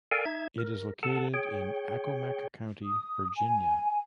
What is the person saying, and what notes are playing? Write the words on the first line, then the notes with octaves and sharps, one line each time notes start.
It is located in Accomack County, Virginia.
A4 A#4 D5 F5 G5 G#5
D#4 E5 G#6
A#4
A4 F#5 A5
G#4 C#5 G5
D#6
G#5